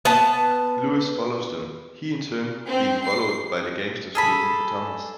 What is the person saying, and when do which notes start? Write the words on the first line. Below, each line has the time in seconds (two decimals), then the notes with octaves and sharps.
Lewis follows them, he in turn being followed by the gangsters looking for Thomas.
0.05 B3 A5
2.67 C4
3.05 C7
4.15 G#4 A4 B5